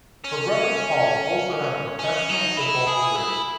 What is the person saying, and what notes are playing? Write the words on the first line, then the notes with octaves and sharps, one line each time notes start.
Her brother Paul also had a professional football career.
C#4
C#4
D#4
E4
G#4
E4